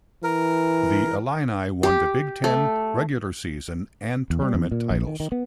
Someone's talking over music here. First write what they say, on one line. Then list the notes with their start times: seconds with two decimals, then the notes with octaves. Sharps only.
The Illini won the Big Ten regular season and Tournament titles.
0.24 E3 A#4
1.83 G4
2.44 A3
4.30 E2
4.42 G3
4.54 E2
4.71 A#2
4.91 A#1
5.07 D#3
5.20 D#3
5.32 B3